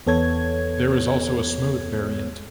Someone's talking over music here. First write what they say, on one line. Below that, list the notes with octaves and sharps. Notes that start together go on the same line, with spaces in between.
There is also a 'smooth' variant.
E2 B3 A4 C#5 G#6